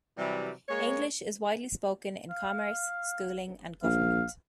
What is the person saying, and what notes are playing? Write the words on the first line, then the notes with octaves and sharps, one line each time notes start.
English is widely spoken in commerce, schooling and government.
C3 E3 F#3 G3
G#3 A#3 C#5
F5
A#1 F5